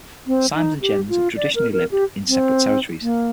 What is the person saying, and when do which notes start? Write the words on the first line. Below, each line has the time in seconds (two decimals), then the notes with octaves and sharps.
Simes and Gens have traditionally lived in separate territories.
0.27 C4
0.55 D#4
0.81 G4
1.09 F4
1.36 D5
1.55 A#4
1.73 A#4
1.91 G4
2.28 C4
3.02 A#3